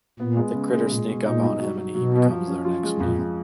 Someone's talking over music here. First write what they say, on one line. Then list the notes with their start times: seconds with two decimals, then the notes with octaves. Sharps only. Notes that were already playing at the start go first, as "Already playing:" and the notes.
The Critters sneak up on him and he becomes their next meal.
0.19 A#2 B3
0.37 G#3
0.54 C#3
0.72 G#3
0.89 A#2 G#3
1.07 B2
1.25 A#2 D#4
1.42 D#4
1.60 F#3
1.77 F#3
1.95 B2 F#3
2.13 F#3
2.30 F3
2.47 C#4
2.65 F4
2.83 G#3
3.00 F2 A#2
3.18 F2